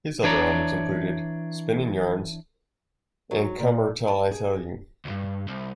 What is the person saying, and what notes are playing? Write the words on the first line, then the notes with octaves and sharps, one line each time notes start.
His other albums included "Spinnin' Yarns" and "Come 'er till I tell You".
E3 D4 C#5 D5 A#5
F#3
A#2
A5
G#4
D2 G2
C2